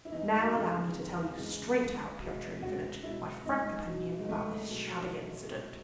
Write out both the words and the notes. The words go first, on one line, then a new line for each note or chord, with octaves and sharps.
Now allow me to tell you straight out, Pyotr Ivanitch, my frank opinion about this shabby incident.
E4
E2 D#4
F#4
C#3 E3 G#3
G#4
E2
C#3 E3 G#3
C#2
B2 G#3
C#2 F#4
B2 G#3 E4
C#2 D#4
B2 F#3
G#3
C#2 A3
B2 F#3